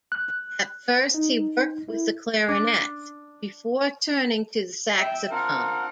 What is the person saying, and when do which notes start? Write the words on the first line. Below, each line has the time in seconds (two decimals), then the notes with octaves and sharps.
At first he worked with the clarinet, before turning to the saxophone.
0.12 F#6
1.14 D#4
1.89 E4
2.49 D4
4.97 E5 G5
5.31 C4 D4 F4 A#4 F#5